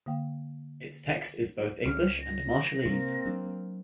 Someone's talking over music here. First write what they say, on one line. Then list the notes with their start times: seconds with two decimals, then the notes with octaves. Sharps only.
Its text is both English and Marshallese.
0.06 D3 A#3 F5 G5
1.85 C#2 F6
2.21 A#6
2.85 C3 A#3 C4
3.26 F#3 D4